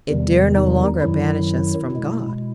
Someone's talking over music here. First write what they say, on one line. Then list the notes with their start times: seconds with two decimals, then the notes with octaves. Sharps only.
It dare no longer banish us from God.
0.10 E2 C3 D#3 G3
0.56 D#4
1.01 F#2 D#3 F#3 E4
1.92 B2 G#3